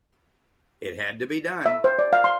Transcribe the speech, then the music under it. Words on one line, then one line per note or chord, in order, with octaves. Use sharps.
It had to be done.
E5
C5
D5
F5
C6